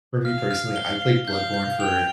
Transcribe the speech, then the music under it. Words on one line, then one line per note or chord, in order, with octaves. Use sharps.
for me, personally, I played Bloodborne for
F5 F6
F6
G7
C7
F5 G6
G6
G5 F7